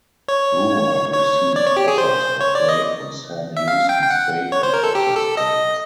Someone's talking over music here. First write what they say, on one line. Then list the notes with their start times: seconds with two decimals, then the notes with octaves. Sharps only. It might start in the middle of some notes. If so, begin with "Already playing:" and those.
Brewer received offers for play for Sam Houston State and Texas State.
0.28 C#5
1.14 C#5
1.56 D5
1.67 C#5
1.77 G4
1.88 G#4
1.98 C5
2.41 C#5
2.55 D5
2.69 D#5
3.57 E5
3.68 F5
3.89 G5
4.03 G5
4.10 F#5
4.52 C#5
4.63 C5
4.74 A#4
4.83 A4
4.95 G4
5.16 A4
5.37 D#5